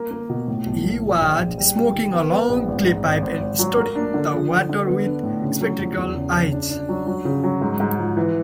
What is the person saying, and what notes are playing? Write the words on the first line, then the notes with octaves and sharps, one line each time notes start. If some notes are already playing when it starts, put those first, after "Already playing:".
He was smoking a long clay pipe and studying the water with spectacled eyes.
Already playing: A#3
A#3
B2
A2
B1
B1
A#2
A#1
A#1
G3
G3
D#3
B3
B3
A#1
G#1
G#2
G#1
G#1
G#1
F#3
A#3
D4
D3
F3
D3
D3
B3
D4
A2
C#3
F#3
F2
E2
C#3
C#3
D4
D4
F#3
F#3
C#3
F#3
G#2
G#2
F3
E3